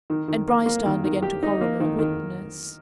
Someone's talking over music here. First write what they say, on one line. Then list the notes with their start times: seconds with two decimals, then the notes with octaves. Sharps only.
And Bryce turned again to Coroner and witness.
0.10 D#3
0.28 D#3
0.48 A#3
0.66 A#3
0.86 D#3
1.04 D#3
1.22 G4
1.43 D#4
1.61 A#3
1.80 D#3
1.99 D#3